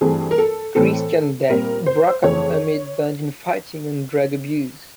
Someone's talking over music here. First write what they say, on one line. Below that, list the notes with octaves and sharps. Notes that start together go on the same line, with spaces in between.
Christian Death broke up amid band infighting and drug abuse.
G2 E3 A3 C4 G#4
A#4
A4
A2 E3 A3 C4 A4
A#2 G3 C4 A#4
C5
F2 C#3 E3 A3 C4 C#5